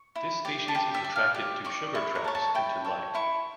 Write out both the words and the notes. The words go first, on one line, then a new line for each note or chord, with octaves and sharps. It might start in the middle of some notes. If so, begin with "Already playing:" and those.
This species is attracted to sugar traps and to light.
Already playing: C#6
E4
G4 D5
A5
G4 G5
E5
D5
F5
G4
D5 C#6
E4 C#6
A#5
A4 C#5
A5
E4 G5
A4 C#5
E4 C#6